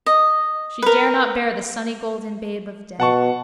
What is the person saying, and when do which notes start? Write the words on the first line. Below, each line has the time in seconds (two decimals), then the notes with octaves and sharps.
She dare not bear the sunnygolden babe of day.
0.06 D#5
0.82 A#4 B4
3.00 B2 F#5 A5 C#6